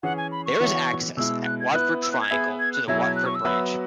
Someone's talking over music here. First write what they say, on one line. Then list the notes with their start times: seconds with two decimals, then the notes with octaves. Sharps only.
There is access at Watford triangle to the Watford branch.
0.03 E3 C#4 G#4 F#5
0.17 G#5
0.32 B5
0.46 C#6
0.60 E3 B3 F#4 C#5 E5
1.17 B2 G#3 E4 E6
1.45 F#6
1.60 G#6
1.74 B3 E4 B4 F#6
2.03 E6
2.12 F#6
2.21 G#6
2.31 B3 G#4 B4 E5
2.60 G#6
2.74 F#6
2.87 B2 F#3 E4 G#4 E5 G#6
3.02 G#6
3.16 F#6
3.26 C#6
3.35 E6
3.45 F#3 B3 F#4 B4 E5